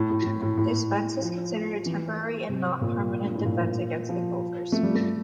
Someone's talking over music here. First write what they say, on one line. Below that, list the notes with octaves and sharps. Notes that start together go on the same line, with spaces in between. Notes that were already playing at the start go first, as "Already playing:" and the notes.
This fence is considered a temporary and not permanent defense against the gophers.
Already playing: A2
A2
A2
A2
A2
F3
E3
C3
A#2
G2
A2
A#2
F3
A3
G3
A3